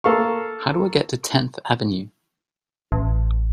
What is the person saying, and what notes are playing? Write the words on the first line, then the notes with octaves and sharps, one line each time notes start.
How do I get to Tenth Avenue?
A#3 A4 F5 C#6
A1